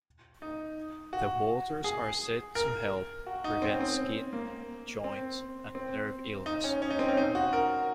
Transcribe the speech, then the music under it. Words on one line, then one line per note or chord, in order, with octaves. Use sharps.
The waters are said to help prevent skin, joint, and nerve illness.
D#4
F#4
G#4
A#4
F#4
D#4
C4
C#4
C4
A#3
C4
C4
D#4
C#4
C#4
D#4
C4
C#4
D#4
F#4
A#4